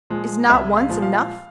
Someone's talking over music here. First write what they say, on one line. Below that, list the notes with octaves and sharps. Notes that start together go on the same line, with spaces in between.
Is not once enough?
A#2 F3 G#3
C2 E5
F5
A#2 F3 G#3
F5